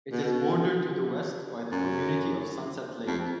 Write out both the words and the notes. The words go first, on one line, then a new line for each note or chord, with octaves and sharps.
It is bordered to the west by the community of Sunset Lake.
B2
F#2
F2